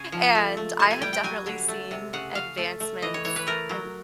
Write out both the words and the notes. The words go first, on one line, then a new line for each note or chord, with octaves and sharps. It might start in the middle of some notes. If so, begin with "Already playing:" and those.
and I have definitely seen advancements. I'm
Already playing: C#3 G#5
F3
A3
A3
C3 A5
G#5
G3 G5
G5
F#3 G#5
D3
A3
C3
C#3 F#5
C#3 F5
A3
A3
E3 D#5
C#5
E3 C#5
B4
A3 A#4
F#3